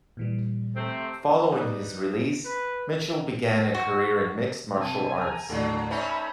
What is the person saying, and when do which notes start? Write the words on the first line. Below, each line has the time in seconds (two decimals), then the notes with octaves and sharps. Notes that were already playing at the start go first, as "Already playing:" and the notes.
Following his release, Mitchell began a career in mixed martial arts.
0.17 A#2 E3 G3
0.76 C3 A3 C4
1.52 G3 D#4 B4
2.45 B4
3.75 F#4
4.77 C3 G#5 A5
5.18 G5 A#5
5.49 D#2 A2 D3 F#3 F#4 A4
5.91 A3 C#4 D#4 C5 C#5 E5 G#5 B5